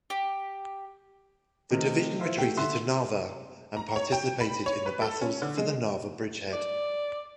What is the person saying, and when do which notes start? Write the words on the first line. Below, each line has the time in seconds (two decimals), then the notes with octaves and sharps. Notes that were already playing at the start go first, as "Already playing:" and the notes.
The division retreated to Narva and participated in the battles for the Narva bridgehead.
0.10 G4
1.71 C3 D#3 A3 C4
2.20 E4 F4 C5 C6
2.36 B2 A3 G5
2.57 D3 E5 C6 F#6
3.77 A#5
3.96 C#5
4.12 G5
4.40 B5
4.66 C#5
4.86 B4
5.02 A4
5.21 C#4
5.42 D3
5.57 G#3
6.53 D5